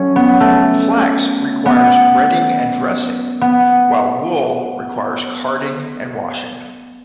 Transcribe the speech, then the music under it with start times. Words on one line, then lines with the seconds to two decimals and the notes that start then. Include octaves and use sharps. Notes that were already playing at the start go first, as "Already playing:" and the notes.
Flax requires retting and dressing, while wool requires carding and washing.
Already playing: F#3 A3 C#4
0.16 B3
0.40 A3
1.66 B3
3.41 B3